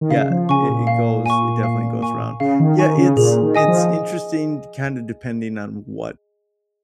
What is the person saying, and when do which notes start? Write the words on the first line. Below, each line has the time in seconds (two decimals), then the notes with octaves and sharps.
yeah, i it goes it definitely goes around. Yeah, it's it's interesting kinda depending on what
0.01 D#3
0.11 C#3 F5
0.30 F3
0.49 C#3 G#5 C#6
0.61 C#3
0.69 A#2
0.87 F5
1.26 G#5 C#6
1.63 F5
2.02 G#5 C#6
2.40 C#3 F5
2.60 D#3
2.78 D#3 G#5 C#6
2.97 C#3
3.16 A#2 G#4
3.42 D#3
3.55 D#5 G#5 D#6
3.68 F3